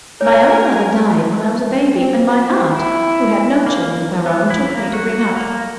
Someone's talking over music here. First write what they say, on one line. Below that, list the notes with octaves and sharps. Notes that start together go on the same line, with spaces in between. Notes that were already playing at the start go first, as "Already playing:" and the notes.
My own mother died when I was a baby, and my aunt, who had no children of her own, took me to bring up.
A#4 C#5 G#5
C4
C4
E4
A#3
B3
E4
A#3
F#4
A#3